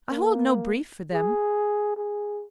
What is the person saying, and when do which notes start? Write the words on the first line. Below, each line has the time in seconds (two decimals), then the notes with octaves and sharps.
I hold no brief for them.
0.10 A#3
1.13 G#4
1.97 G#4